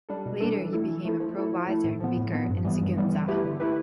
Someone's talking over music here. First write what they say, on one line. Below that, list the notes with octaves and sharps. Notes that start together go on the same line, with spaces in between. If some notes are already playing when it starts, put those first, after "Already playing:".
Later he became a provisor and vicar in Sigüenza.
G3 D4 A4
B2
G3 D4 A4
E3
A3 E4 A4
E3
A3 E4 A4
F3
A3 E4 A4
F3
A3 E4 A4
A2
F3 B3
A2
F3 B3
G2
E3 G3 B3
G2
E3 G3 B3
D3
A3 E4 G4 B4
D3
A3 E4 G4 B4